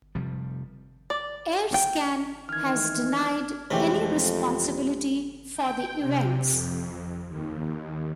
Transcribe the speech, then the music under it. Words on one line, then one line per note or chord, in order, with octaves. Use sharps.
AirScan has denied any responsibility for the events.
F1 C3 F3 G3
D5
G5
D#3 E3 F6 G#6
F2 C3 E3 G#3 A3 C#4 G4 C5
G5
C3
F2
D#2